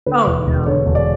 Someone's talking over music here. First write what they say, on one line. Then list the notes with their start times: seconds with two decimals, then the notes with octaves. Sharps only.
Oh, no.
0.06 D3 B4
0.26 E1
0.47 E1
0.66 D3 C#5
0.86 E1
0.95 D5